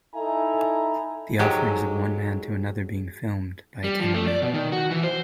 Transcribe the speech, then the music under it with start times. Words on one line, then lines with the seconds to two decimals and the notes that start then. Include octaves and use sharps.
The offerings of one man to another being filmed by a cameraman.
0.15 D#4 E4 A4 E5 G#5 A#5
1.39 G#2 F#3 G#3 G4 A4
3.84 G3
4.00 F3
4.14 A3
4.27 D5
4.42 B2
4.54 D#3
4.72 F#4
4.91 E3
5.03 C5